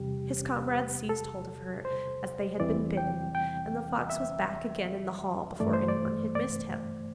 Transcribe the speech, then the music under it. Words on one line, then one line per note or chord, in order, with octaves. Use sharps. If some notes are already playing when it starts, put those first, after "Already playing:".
His comrades seized hold of her, as they had been bidden, and the fox was back again in the hall before anyone had missed him.
Already playing: E2 C3 G3 G4
A4
C5
E2 E3 G3 C4 D5
G5
G5
E5
G2 E3 A3 D5
C5
D5
D5